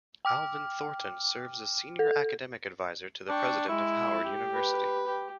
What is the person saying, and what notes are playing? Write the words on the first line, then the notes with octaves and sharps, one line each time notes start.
Alvin Thornton serves as Senior Academic Advisor to the President of Howard University.
G5 D6 F6
A4
D4 G5 C#6
G#3 E4
G4
B4
G4